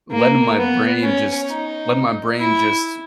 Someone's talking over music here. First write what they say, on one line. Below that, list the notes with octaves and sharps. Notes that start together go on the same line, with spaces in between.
Letting my brain just letting my brain just
A#3
B3
C#4
D#4
E4